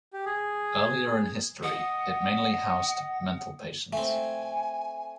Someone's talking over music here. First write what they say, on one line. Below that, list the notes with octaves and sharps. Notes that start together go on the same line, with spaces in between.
Earlier in history, it mainly housed mental patients.
G4
G#4
D#5 F#5
A3 C4 G#5